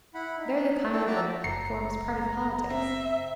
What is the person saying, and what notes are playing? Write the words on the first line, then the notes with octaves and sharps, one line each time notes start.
There the Carnival forms part of politics.
E4 F#5 B5
D#4
E4 A4 G5 A5
F#4 D5 E5 G5 A5 A#5
F#1 A#5 C7
C4 E5